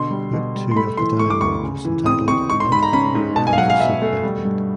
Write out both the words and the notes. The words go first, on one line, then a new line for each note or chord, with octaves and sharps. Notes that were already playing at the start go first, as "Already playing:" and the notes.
Book two of the Dialogues was entitled "Life and Miracles of Saint Benedict".
Already playing: B2 D3 C6
G3
B2
G3
C6
A3 B5
E3 C6
A3 C#6
D6
D2 C#6
C#3
E3
C4 D#6
C4 C#6
G#2 C#6
C6
G#2 B5
A#5
C#4 B5
G#2
B2 A5
G#5
F5
F#3 F#5
F5
B2 E5
A3
G3
G2